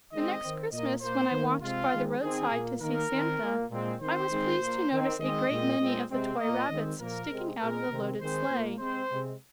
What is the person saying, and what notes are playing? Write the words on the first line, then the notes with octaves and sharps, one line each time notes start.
The next Christmas, when I watched by the road-side to see Santa, I was pleased to notice a great many of the toy rabbits sticking out of the loaded sleigh.
D#3 G#3 C4 D#5
D#3 C4
A#2 A#3 D#5
A#2 A#3 C5
D#3 A#3
C3 G#3 C4 F4
D#3 G#3 C4
D#3 C4 G#4
A#2 A#3
D#3 A#3 A#4
D#3 C4
A#2 A#3
A#2 G#3 C4
D#3 C4 C5
D#3 G#3 C4
A#2 A#3
D#3 C4
D#3 G#3 C4 D#5
A#2 G#3 C4
A#2 G#3 C4
C3 G#3 C4
A#3 D#5
A#2
D#3 G#3 C4
A#2 F3 A#3 A#4
C3 G#3 C4
A#2 G#3 C4 A#4
C3 D#3 C4
D#3 G#3 C4 C5
A#2 A#3
C3 G#3 C4 C5
C3 G#3 C4